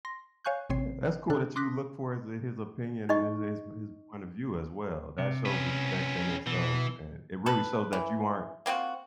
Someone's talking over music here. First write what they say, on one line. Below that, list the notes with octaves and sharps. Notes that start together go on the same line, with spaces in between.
Yeah, that's cool that you look for his his opinion and his his his point of view as well. That shows respect in itself, and it really shows that you aren't
C6 A#6
C#5 F5 G#5 C#6 F#6 G6
A1 C3 C4 C#5 C7
C#3 D4 A4 F#6
C6 D6 D#6 F#6 A#6 B6
D#4 D#5 C#6
C3
C#4 B4
B2 E3
A4 B4
E3
A#3 C4 F4 F#4